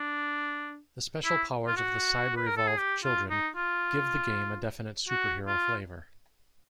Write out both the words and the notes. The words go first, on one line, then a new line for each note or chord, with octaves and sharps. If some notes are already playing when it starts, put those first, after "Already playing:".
The special powers of the CyberEvolved children give the game a definite superhero flavor.
Already playing: D4
E4
F4
F#4
B4
A#4
A4
G#4
G4
F4
D#4
F4
F#4
F4